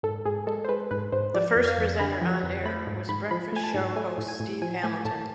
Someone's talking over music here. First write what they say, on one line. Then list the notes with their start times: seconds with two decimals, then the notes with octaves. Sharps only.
The first presenter on air was breakfast show host Steve Hamilton.
0.03 G#2 A4
0.25 G#2 G#4
0.47 G#3 A4
0.64 C5
0.69 G#3 B4
0.91 G#2 B4
1.12 G#2 C5
1.34 F3 D5
1.56 F2
1.67 F5
1.78 F2
1.99 D3 B5
2.21 F3
2.43 F2
2.65 A3 B5
2.87 G#2
3.09 G#2 B5
3.31 F3 B5
3.52 A3 G#5
3.64 A5
3.74 G#2
3.96 A3 G#5
4.18 A2
4.28 G#5
4.40 A2
4.62 F3 G#5
4.83 A3 G#5
5.05 A2 A5